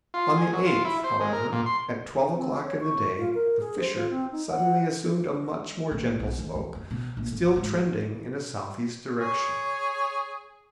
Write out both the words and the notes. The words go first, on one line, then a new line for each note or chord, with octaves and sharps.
On the eighth, however, at twelve o'clock in the day, the fissure suddenly assumed a much more gentle slope still trending in a southeast direction.
F4
G#4
F#3
F4
E4
C5
G#3
A#4
A#2
C6
C4
C#5
C#6
F4
A#4
G#4
C5
F4
C4
D#4
F#5
A#1
B1
D#3
E3
F#2
B2
A#1
G1
G#2
F3
G#4 C#5